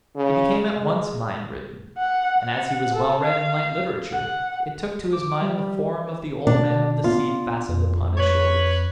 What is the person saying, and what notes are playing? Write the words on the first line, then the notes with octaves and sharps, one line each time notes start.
He became at once mine-ridden, and as he was well read in light literature it took to his mind the form of the Old Man of the Sea fastened upon his shoulders.
C#3
G#3
F#5
F#5
A4
F5
F#5
D6
G3
B2 D4
B3 F4
F2
B4 C#5